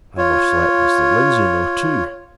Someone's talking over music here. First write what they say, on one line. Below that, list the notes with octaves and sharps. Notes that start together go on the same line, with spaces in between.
I must let Mr. Lindsey know, too.
F4 C#5